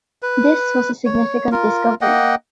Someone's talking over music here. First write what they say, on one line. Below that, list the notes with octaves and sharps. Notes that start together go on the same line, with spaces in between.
This was a significant discovery.
B4
C#5
F4 A#4
A#3 D#5 F#5 G5